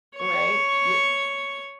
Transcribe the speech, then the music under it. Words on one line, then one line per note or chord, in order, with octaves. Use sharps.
Right, y
C#5 C#6